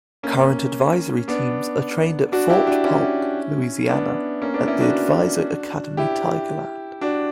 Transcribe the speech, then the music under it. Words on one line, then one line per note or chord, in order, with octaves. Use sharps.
Current Advisory Teams are trained at Fort Polk, Louisiana at the Advisor Academy, Tigerland.
A#3 C#4
B3 D4
D4 F#4
E4 G4
D4 F#4
C#4 E4
B3 D4
A#3 C#4
B3 D4
C#4 E4
D4 F#4
E4 G4
D4 F#4